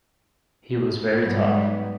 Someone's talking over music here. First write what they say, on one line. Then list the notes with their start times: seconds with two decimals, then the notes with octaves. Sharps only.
He was very tough.
1.24 G#2 F#3 G3 B3